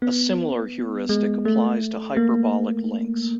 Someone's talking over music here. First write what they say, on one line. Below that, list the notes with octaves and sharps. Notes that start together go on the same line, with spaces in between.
A similar heuristic applies to hyperbolic links.
B3
G#3
A3
A#3